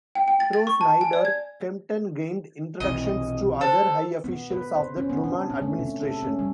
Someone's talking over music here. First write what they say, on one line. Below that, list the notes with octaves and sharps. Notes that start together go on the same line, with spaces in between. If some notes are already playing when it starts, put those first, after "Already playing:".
Through Snyder, Kempton gained introductions to other high officials of the Truman administration.
G5
G5
A6
A6
C#6
A5
G#5
D5
G#6
B1 C3 E3 D#5
A4 C5
B3
B4
C5
C#4
B3
D4
C#4
A3
C3
A4
C#4
G3